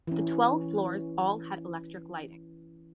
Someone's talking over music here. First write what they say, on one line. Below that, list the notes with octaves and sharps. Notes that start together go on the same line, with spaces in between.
The twelve floors all had electric lighting.
E3 C#4